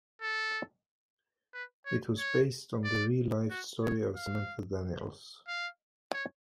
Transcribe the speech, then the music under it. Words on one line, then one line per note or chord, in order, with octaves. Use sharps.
It was based on the real-life story of Samantha Daniels.
A4
B4
C#5
C#5
D5
F#4
C#5
F5
F5
C#5